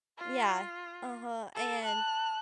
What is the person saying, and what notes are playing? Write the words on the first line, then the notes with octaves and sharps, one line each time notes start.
Yeah. Uh-huh, and,
F4
A4
A5 F#6